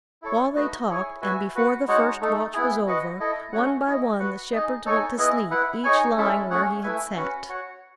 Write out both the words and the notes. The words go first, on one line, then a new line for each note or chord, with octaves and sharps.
While they talked, and before the first watch was over, one by one the shepherds went to sleep, each lying where he had sat.
E4 A4 C#5
A3 D#4 F#4 B4 D#5
E4 G#4 C#5 G#5
F#4 B4 E5 G#5
F#4 B4 F#5
G#3 D#4 F#4 C#5 F#5
A3 D#4 A4
B3 E4 G#4
F#4 B4 D#5 F#5
E4 A4 D#5
A3 C#4 F#4 C#5 F#5
E4 G#4 D#5
F#4 B4 F#5
D#4 G#4 D#5
D#4 A4 C#5 G#5
B3 E4 G#4 D#5
E4 B4 F#5
D#4 G#4 C#5 G#5
G#3 C#4 E4 A4 E5
A3 C#4 G#4 C#5 F#5
A3 E4 B4 E5 G#5
C#4 F#4 B4 F#5
F#4 C#5 F#5